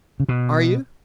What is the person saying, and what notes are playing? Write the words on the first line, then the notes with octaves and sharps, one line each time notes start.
"Are you?"
C#3
B2